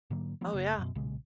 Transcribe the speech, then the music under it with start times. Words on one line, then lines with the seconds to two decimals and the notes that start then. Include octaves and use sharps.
Oh, yeah.
0.10 G#2 D3 F#3 A#3
0.41 E3 F3 A#3 C#4
0.53 F#1 C#3 A#3
0.78 F#2 B2
0.95 B1 A#2 C#3 G#3